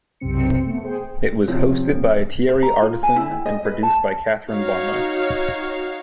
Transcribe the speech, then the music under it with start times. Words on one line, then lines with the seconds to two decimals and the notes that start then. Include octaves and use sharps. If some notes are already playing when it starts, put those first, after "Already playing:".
It was hosted by Thierry Ardisson and produced by Catherine Barma.
0.20 B1 F#2 C3 C4 C#7
0.66 A3 B3
0.83 G#4 C5 G5
1.48 C3 F3 C4 C#4
2.49 C5
2.62 A#5
2.82 F4
3.03 G#5
3.16 E4
3.31 G5
3.46 D#5
3.65 B4
3.83 A5
4.47 D#4 F#4 C#5 F5